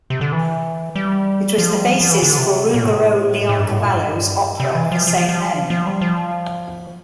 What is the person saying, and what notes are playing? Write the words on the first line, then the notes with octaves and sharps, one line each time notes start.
It was the basis for Ruggero Leoncavallo's opera of the same name.
C3
D3
E3
G3
F3
G3
F3
F3
E3
D3
C3
A#2
A2
A2
G2
A2
A#2
G2
C3
E3
F3
F3
F3
F3
F3
G3
F3